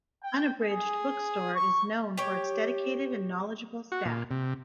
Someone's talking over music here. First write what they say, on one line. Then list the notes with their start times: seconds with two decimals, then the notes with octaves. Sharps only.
Unabridged Bookstore is known for its dedicated and knowledgeable staff.
0.23 G5
0.61 G#4
1.55 C#6
2.17 G4 C#5
3.92 F#4
4.05 A#2
4.31 C3